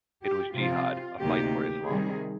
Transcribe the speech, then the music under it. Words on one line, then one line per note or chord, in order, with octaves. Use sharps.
It was a Jihad, a fight for Islam.
G4
C3 F3 C4 F4
D2 C3 D#3 A#3 G4
C3 D#3 G3 G#4